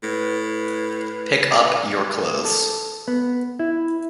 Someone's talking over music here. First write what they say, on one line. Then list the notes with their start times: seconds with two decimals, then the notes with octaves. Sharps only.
Pick up your clothes.
0.03 A2 B4
2.45 A4
3.08 B3
3.59 E4